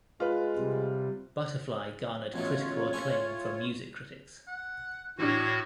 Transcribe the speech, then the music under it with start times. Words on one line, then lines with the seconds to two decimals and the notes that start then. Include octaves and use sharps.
"Butterfly" garnered critical acclaim from music critics.
0.20 G#3 F4 B4
0.57 C3 G3
2.34 A1 B2 A3 F4 C#5
2.93 A3 C#4 E4
4.47 F#5
5.18 A2 E3 C#4 D4 F#4